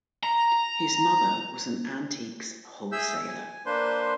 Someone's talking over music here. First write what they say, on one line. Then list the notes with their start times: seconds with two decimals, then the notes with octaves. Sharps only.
His mother was an antiques wholesaler.
0.23 A#5
2.92 G#4 E5 E6 G6
3.28 G#5
3.66 A#3 D4 B4 C5 C6